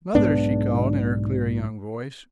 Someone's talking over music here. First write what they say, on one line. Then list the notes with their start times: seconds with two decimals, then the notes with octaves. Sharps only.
"Mother!" she called in her clear young voice.
0.15 B1 G#2 B3 D4